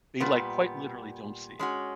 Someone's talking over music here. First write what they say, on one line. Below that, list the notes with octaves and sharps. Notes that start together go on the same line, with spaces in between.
they like quite literally don't see it.
A#2 G3 B3
G#3 C#4 F#4